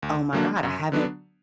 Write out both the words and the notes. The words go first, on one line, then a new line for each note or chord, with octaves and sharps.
"Oh my god. I haven't"
D2
D3 F#3 A#3 D4
F#2
D3 F#3 B3 D4